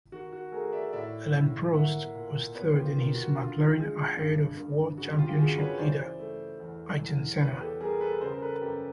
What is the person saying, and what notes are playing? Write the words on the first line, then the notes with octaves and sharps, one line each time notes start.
Alain Prost was third in his McLaren ahead of World Championship leader Ayrton Senna.
D#3 F#4
F#4
A3 G#4 A#4
D5 E5
A2 D5 E5
A2
A#3 E5 F#5
A#2
B3 B4 C#5
F4 G4
D#3 F4
F#4
D3 F4
G#3
G2
G2
C#3 F#4
F4 G4
G4
C#3 F#4 G#4
B4 C#5
E3 C5 D5
A3
E2
E2
B2 B4 C#5
G4 A4
G3 G#4 A#4
A4 B4
C#3 A#4 C5
A#4
A4 B4
F#2 G4 A4